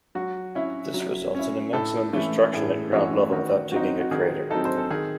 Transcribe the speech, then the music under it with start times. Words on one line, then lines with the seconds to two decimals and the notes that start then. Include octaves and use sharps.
This results in a maximum destruction at ground level without digging a crater.
0.15 F#3 F#4
0.55 C#4 E4
0.94 F#3
1.35 C#4 E4
1.73 A2 A4
2.13 E3 A3 C#4 E4
2.53 A2 G#4
2.92 E3 A3 C#4 E4 F#4
3.32 D#3 F#4
3.72 F#3 C4 D#4 F#4
4.00 F#4
4.11 D#3 G#4
4.50 F#3 C4 D#4 A4
4.65 C5
4.77 A4
4.90 D#3 G#4